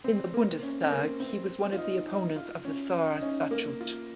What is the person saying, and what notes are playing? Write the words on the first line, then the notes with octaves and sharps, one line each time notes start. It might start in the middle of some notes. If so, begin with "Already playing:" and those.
In the Bundestag he was one of the opponents of the Saar Statute.
C4
A#3
C#4
C4
A#3
C4
F4
D#4
D#4
F4
C#4
D#4
C#4
A#3
F4